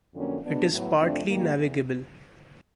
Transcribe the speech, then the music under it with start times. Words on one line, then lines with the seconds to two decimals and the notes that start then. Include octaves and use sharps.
It is partly navigable.
0.14 F2 D3 F#3 A#3 C#4
0.42 B2 G#3 B3 D4
0.70 A2 F#3 B3 E4
0.99 F2 C3 F3 A3 D4
1.27 G2 D#3 G3 A#3
1.55 E2